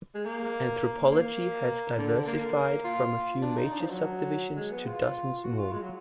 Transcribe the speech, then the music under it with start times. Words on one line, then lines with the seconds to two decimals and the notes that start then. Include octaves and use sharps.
Anthropology has diversified from a few major subdivisions to dozens more.
0.15 G#3
0.25 A#3
1.12 A#3
1.98 D3
2.27 A#3
2.84 F4
3.42 D4
3.57 D#4
3.71 D4
3.80 F3
3.90 F#3
4.56 G#3
4.72 B3
4.86 F4
5.43 F#4
5.58 F4
5.72 G#3
5.81 F#3